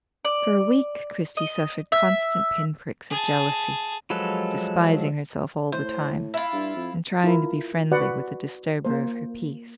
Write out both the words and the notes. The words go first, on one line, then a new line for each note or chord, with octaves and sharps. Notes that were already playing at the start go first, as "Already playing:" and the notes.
For a week Christie suffered constant pin-pricks of jealousy, despising herself all the time, and trying to be friendly with the disturber of her peace.
D5
D#5
E5
G#4 A5
F3 F#3 G#3 A4 B4
A2 C5
E4 F4
G2
F2
E4 F4 A#4
F#4 B4 D5 F#5
A#3 C5